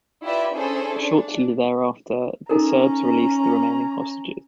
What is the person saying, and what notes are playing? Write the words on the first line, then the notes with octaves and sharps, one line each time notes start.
Shortly thereafter, the Serbs released the remaining hostages.
E4 F4 G4 B4 D5 E5
C#4 D4 E4 G#4 A4 C5
D4
C#4 D#4 A4 A#4 A#5